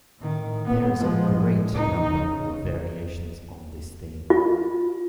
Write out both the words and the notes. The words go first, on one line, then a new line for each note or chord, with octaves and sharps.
There are a great number of variations on this theme.
A2 D#3
A#2 B3
F3 G#3
A2
C#2 D#4
C#3
F4